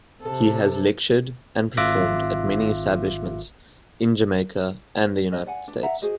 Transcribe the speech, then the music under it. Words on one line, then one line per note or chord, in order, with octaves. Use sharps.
He has lectured and performed at many establishments in Jamaica and the United States.
C3 A4
G#1 F4 E5 D6 F#6 A#6
D4 D#5
D5 F#5 G#5
D4 B4
E5 F#5 A#5
F#4 G#4 C5 D#5